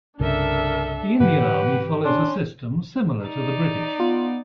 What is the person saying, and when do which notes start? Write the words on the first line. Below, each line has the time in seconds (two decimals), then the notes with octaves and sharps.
The Indian Army follows a system similar to the British.
0.20 C2 G2 C#3 D4 A4 A#4 E5
1.20 G#2 D3 E3 G4 B4 F#5
2.05 C#4 D4 C6
3.26 D#4 D5
4.00 B3 F4